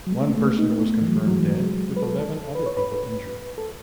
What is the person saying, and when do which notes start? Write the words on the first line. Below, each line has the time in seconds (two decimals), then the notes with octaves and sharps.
One person was confirmed dead with eleven other people injured.
0.07 F#3
0.12 G#3
0.21 A3
0.29 B3
0.38 A3
0.46 B3
0.58 D#4
0.70 B3
0.81 A3
1.01 E3
1.08 F#3
1.16 G#3
1.28 F#3
1.39 E3
1.50 F#3
1.62 G#3
1.97 B4
2.02 A4
2.19 A4
2.37 A4
2.55 B4
2.66 C#5
2.77 B4
3.58 A4